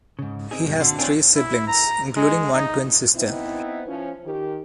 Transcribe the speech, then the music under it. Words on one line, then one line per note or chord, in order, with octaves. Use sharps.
He has three siblings, including one twin sister.
G#2 C#3
C4 D#4 G#4
G2 B2 G#3
A#2 D3 C4 D4 F#4
C4 D4 F4 C#5 G#5
E4
A#5
G#3
D#4
B3 C4 D#4 E4
F3 C#4
D#3 G4